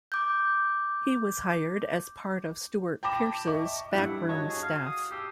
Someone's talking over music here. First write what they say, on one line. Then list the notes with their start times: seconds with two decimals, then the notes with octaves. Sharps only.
He was hired as part of Stuart Pearce's backroom staff.
0.12 D6 G6
3.03 G5 A5 B5 D6 A#6 E7
3.47 D#5 E5 C#6 D6
3.92 G2 G3 E4 F#5
4.29 F#4 C#5 D#5 A5
4.49 G#4
4.62 F5
4.85 D#6
5.11 G4 E6 C7